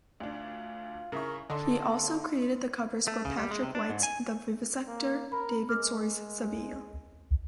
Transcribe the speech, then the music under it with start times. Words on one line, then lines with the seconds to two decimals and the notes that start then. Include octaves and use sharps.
He also created the covers for Patrick White's "The Vivisector", David Storey's "Saville".
0.20 D2 D4 F4
1.12 C#3 E4 A#4 C#6
1.50 D3 A4 D#5 C6
3.08 A3
3.25 C#3
3.37 G3
3.51 G#3
3.63 C3
3.75 D4
3.90 G#2
4.03 G#5
4.88 A#3
5.32 A#4 B5
5.69 G#3 A#4 D6 F6